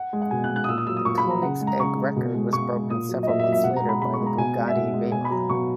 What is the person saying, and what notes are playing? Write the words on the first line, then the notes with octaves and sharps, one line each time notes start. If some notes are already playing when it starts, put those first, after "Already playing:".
The Koenigsegg record was broken several months later by the Bugatti Veyron.
Already playing: F#5
G#3
F#5
B2 G#5
F#6
G#3
F#6
D#6
A#2 E6
D#6
F#3 E6
D#6
A#2 C#6
B5
F#3
A#5
C#3 F#5
G#3
A#5
C#3 C#6
G#3
B2
G#3
B2 C#6
G#3
A#2 D#6
F#3
D#5
A#2 E5
E5
F#3
E5
B2 F#5
A#5
G#3
B5
B2 B5
C#6
G#3
A#5
B2 G#5
G#3
E5
B2 F#5
G#3
B2 G#5
B5
F#3 A#5
B2 C#6